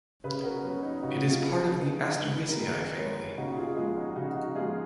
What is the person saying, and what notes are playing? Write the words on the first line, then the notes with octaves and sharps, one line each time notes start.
It is part of the Asteraceae family.
C#3 G#4 B4
F#4 A#4
F#3 B3 C#4
D#4
C#3 D#4 F#4
F4 G#4
F#3 B3
F4 G#4
D#3 G#4 B4
G#3 B3
A#4
D#3 G#4 B4
G#3 B3 A#4 C#5
C#3 D#4 F#4
F#4
F4 G#4
F3 G#3 F4 G#4
D#4 F#4
C#3 D#4 F#4
D#4 F#4
F3 G#3 F4 G#4